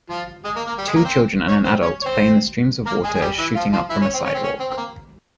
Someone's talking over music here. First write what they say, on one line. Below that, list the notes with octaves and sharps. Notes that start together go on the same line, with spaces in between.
Two children and an adult play in the streams of water shooting up from a sidewalk.
F3 F4
G#3 G#4
A#3 A#4
A#3 A#4
G3 G4
G#3 G#4
A#3 A#4
C4 C5
C#4 C#5
C4 C5
C#4 C#5
C#5
C4 C5
A#3 A#4
G#3 G#4
G#4
G3 G4
E3 E4
F3 F4
F3 F4
E3 E4
C#4
C4
C#4
C4
C#4
C4
C4
A#3